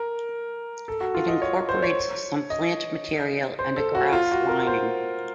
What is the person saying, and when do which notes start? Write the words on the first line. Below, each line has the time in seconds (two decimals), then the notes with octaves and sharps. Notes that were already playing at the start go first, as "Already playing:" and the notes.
It incorporates some plant material and a grass lining.
Already playing: A#4
0.88 A4
1.01 F#4
1.15 F4
1.28 D#5
1.42 C#5
1.69 C5
1.82 C#5
2.50 D#5
3.59 C5
3.77 A4
3.95 F#4
4.13 F4
4.32 F#4
4.49 A#4
4.67 C5